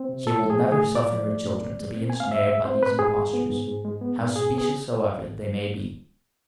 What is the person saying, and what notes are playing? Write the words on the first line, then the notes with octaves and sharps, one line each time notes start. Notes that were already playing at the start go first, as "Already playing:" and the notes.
She will never suffer her children to be ensnared by these impostures, how specious soever they may be.
Already playing: C4
C3
A2 A4
F3
G#4
A3
G#4
A2
A2 D5
F3
A3
A2
A2
G#3
C4
A2 G#5
F5
A2 E5
G#3 E5
C4 C5
A2 B4
G#2 G#4
G#3
B3
G#2
G#2
G#3
B3
G#2
B2 G#4
B3 G#4